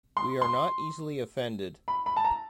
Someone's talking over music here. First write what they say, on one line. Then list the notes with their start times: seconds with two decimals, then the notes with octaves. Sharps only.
We are not easily offended.
0.17 C6
0.42 C6
1.88 B5
2.06 B5
2.17 A5
2.25 A#5